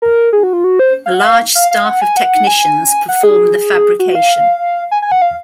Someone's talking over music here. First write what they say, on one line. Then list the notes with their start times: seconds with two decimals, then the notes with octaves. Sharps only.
A large staff of technicians perform the fabrication.
0.02 A#4
0.33 G#4
0.43 F#4
0.53 F4
0.64 F#4
0.79 C5
1.06 F5
1.14 F#5
1.25 F5
1.55 F5
1.71 F5
1.86 F#5
2.02 G#5
2.17 F#5
2.47 G#5
3.08 F#5
3.23 G#4
3.99 F#4
4.15 F5
4.91 G#5
5.02 G#5
5.12 F#5
5.22 F5